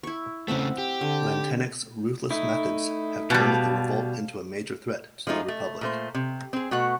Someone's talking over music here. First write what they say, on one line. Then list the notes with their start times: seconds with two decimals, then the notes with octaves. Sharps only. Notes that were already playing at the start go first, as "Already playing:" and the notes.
Lantenac's ruthless methods have turned the revolt into a major threat to the Republic.
0.03 E4 C#6
0.48 C#3 A3 C4 E5 F#5
0.78 G4
1.01 D3
2.31 A3 D#4 E4
3.30 B2 G3 F5 A5
5.27 F3 G#3 A3 D#4
5.48 A3
5.81 A#2 A3 C5
6.15 C3
6.53 C4 G#4
6.71 B2 A3 F#4 F#5